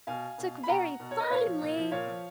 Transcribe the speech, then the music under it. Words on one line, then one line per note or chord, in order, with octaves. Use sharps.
Took very fine-ly!
B2 F5 G#5
B2
B5
B2 F#5 A#5
B2
C#5
D#5
A#2 C#5 F5
F3
A#2
F3
A#2 C#5 F5
F3